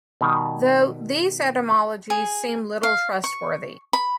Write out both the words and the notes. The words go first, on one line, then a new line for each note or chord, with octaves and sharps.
Though, these etymologies seem little trustworthy.
B2 D#3 G3
G#4
F5
C#6
B5